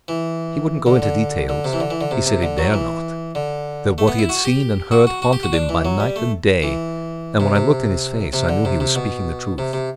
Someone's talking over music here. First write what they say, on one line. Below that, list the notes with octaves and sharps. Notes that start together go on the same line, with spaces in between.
He wouldn't go into details; he said he dare not, that what he had seen and heard haunted him by night and day, and when I looked in his face I knew he was speaking the truth.
E3
D3
D3
D3
C3
E3
D3
E3
D3
C3
C3
D3
F#3
E3
D3
A3
B3
E4
F#4
G4
F#4
F#4
F#4
G4
F#4
D4
E3
F#3
G3
A3
E3
C3
C3
C3
D3
C3
C3
B2
C3
C3